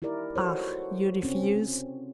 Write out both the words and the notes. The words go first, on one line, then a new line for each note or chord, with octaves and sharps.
Ah, you refuse?
D#4 E4 G4 A#4 D5
F#4 A4 C5 C#5
C4 C#4